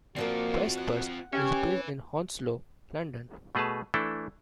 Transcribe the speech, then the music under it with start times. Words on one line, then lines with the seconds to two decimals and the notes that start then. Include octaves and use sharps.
Westbus is based in Hounslow, London.
0.16 A#2 F3 A#3 C4 F4 F#4
0.77 F#5
1.33 C#4 G4 B4 E5
3.55 B2 A3 G#4 B4 A5
3.94 E3 A3 D4 E4 A4